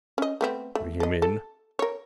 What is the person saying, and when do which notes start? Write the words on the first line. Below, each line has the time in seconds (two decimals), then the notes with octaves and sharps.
"Bring him in."
0.18 C#4 D#5
0.41 A3 B3 C4
0.75 A3
1.00 A4 D#5
1.22 A4
1.79 A#4 C#5